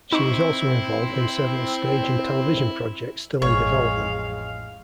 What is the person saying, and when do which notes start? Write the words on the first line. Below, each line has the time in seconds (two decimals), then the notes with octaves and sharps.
She is also involved in several stage and television projects still in development.
0.12 C4 D#4 E4 C#6
3.42 A1 F2 G#3 C#5 F5